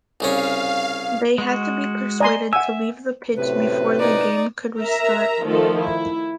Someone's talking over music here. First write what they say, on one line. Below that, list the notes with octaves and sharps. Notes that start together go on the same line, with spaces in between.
They had to be persuaded to leave the pitch before the game could restart.
C2 C#3 C#4 F5
G#3 F#4
D5 D#5 G#5 A#5 C6
E5 F#5 G#5 E6
F#2 A2 C3 B4
D#4 D5
A#4 E5 A#5
D#3 F3 A3 A4
E4